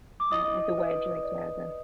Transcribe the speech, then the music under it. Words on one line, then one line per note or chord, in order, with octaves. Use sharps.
Right, like the wedge, like, yeah, the
D6
E4 D#5 D#6
B4
D5